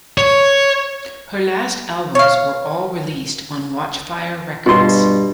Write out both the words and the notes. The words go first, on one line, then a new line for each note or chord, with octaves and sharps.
Her last albums were all released on Watchfire Records.
C#5
C#5 F5
G2 B2 C6